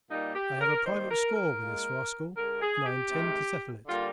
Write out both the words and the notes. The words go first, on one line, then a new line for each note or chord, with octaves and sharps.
I have a private score with this rascal, and I intend to settle it.
A#2 G3 A#3 D#4
G4
A#4
D#3 G3 A#3 C5
A#4
A#4
A#2 G#3
D3 G#3 A#4
G#4
G4
C3 D#3 G#3
D3 G3 A#3 F4